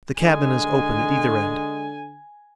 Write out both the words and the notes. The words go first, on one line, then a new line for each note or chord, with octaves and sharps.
The cabin is open at either end.
D3 G#3 G#5